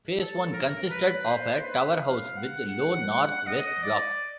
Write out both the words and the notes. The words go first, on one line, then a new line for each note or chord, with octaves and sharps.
Phase One consisted of a tower house with low north-west block.
A4
A#4
B4
C5
B4
F5
F#5
D#5
D5